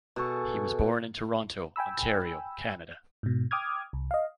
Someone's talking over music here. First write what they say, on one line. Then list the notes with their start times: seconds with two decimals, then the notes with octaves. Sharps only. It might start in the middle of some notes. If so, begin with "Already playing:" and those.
He was born in Toronto, Ontario, Canada.
0.16 B2 G#4 A4 C#6
1.76 G5 G#5 B5 E6
3.23 G#2 B2
3.51 G5 D6 D#6 F6 G#6
3.93 C2
4.11 D#5 F5